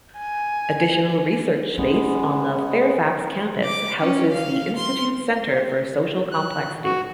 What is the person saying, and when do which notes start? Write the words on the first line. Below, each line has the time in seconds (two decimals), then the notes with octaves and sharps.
Additional research space on the Fairfax campus houses the Institute's Center for Social Complexity.
0.17 G#5
1.78 G#3 B3 C#4
3.64 D6
4.01 C#4
4.32 F5
4.76 C6
6.32 F#6
6.84 F#4